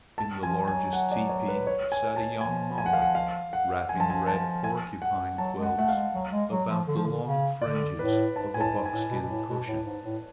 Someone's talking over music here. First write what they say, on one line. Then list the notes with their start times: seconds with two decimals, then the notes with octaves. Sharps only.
In the largest teepee sat a young mother wrapping red porcupine quills about the long fringes of a buckskin cushion.
0.18 A5
0.43 F3 G#5
0.68 F#3 G#5
0.93 F#5
1.11 D5
1.29 C#5
1.48 B4
1.67 C#5
1.92 G#5
2.16 A5
2.41 F3 G#5
2.78 G#5
2.86 F#5
2.93 F5
3.02 F#5
3.15 F5
3.53 F#5
3.89 F3 G#5
4.00 A5
4.10 G#5
4.27 A5
4.64 G#5
5.02 F#5
5.38 F#3 A5
5.57 G#3
5.63 F#5
5.76 A3 F#5
5.89 F5
5.94 G#3
6.13 F#3
6.31 G#3
6.50 F#3
6.68 F3
6.87 D3
6.97 F3
7.05 D3
7.24 C#3
7.62 D3 D5
7.99 A2 B4
8.36 G#2 A5
8.54 A2 G#5
8.61 A5
8.73 G#2
8.86 G#5
8.92 A2
9.10 B2
9.21 B2
9.29 A2
9.48 B2
9.66 A2
9.85 G#2
10.03 A2